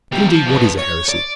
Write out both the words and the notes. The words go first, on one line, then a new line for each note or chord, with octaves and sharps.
And, indeed what is a heresy?
G3 A#3
F3
F3 B3
C#5
D5